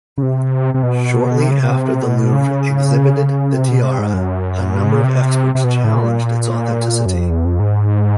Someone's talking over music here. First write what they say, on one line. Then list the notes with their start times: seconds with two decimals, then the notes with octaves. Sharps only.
Shortly after the Louvre exhibited the tiara, a number of experts challenged its authenticity.
0.18 C#3
0.22 C3
0.74 C3
0.83 B2
1.42 C3
1.51 C#3
1.59 C3
1.69 C#3
1.72 C3
2.03 B2
2.33 C#3
3.54 C3
3.68 B2
3.83 C3
3.99 G#2
4.14 F#2
4.74 G2
4.84 G#2
4.89 A2
4.94 A#2
5.04 C3
5.55 C3
5.64 B2
5.84 A2
5.95 A#2
7.06 F#2
7.14 F2
7.30 E2
7.45 F2
7.60 G#2